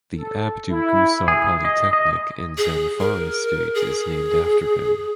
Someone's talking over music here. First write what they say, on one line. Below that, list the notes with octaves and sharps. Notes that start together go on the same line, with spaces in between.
The Abdu Gusau Polytechnic in Zamfara state is named after him.
A4
E4
G#4
D#5
D#5
G#4
A#4
G#4